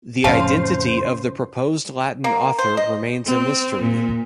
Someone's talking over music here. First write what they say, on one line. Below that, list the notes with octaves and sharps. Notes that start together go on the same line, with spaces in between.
The identity of the proposed Latin author remains a mystery.
F2 A2 C#3 C5 F5 A5
A#3
C5
D#5
C4
A#2